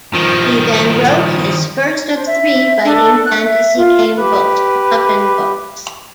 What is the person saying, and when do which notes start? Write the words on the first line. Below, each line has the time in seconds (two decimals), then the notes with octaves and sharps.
He then wrote his first of three Fighting Fantasy gamebooks for Puffin Books.
0.15 D#3 F3
2.13 C5
2.26 E5
2.85 D4 A4
3.24 F#6
3.44 E5
3.76 F4
4.18 G4 B4